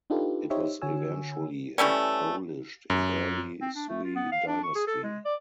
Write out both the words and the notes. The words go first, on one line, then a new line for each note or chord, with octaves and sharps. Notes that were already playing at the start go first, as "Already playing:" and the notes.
It was eventually abolished in early Sui dynasty.
D4 D#4 F4 G4 A4 B4
D#4 G4 C5 C#5 D#5 E5
D3 F#4 C#5 G#5 E6
E3 G3 A3 C#4
F#2
C4
D4
A3
F4
B3
F5
D4
C#6
G#4
A4
G#3
D5